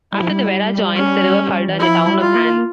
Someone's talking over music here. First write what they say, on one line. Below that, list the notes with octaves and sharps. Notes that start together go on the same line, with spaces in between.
After the Werra joins the river Fulda in the town of Hann.
G3 E4
F3
G3
C#4
E3
F3 E4
G3
F4
A#3